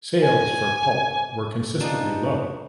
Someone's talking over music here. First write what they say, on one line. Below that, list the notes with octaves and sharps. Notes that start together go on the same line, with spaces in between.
Sales for "Pulp" were consistently low.
G#5
D4 D#4 F4 G#4